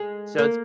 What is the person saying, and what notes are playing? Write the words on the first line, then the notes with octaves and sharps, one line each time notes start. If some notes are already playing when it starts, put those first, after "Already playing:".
So, it's
Already playing: G#3
A#3